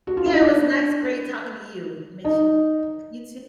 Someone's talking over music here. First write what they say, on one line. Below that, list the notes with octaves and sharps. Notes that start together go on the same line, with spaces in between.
Yeah, it was nice great talking to you. Make sure you safe. You too.
F#4
F4
E4
D#4
D4
D#4